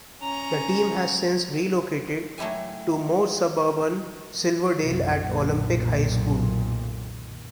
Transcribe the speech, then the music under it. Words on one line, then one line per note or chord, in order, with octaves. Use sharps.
The team has since relocated to more suburban Silverdale at Olympic High School.
C#4 A#5
F#3 A3 E4 G4 G#5
B1 F#2 C3
F1 B1 F#2 A#2 D#3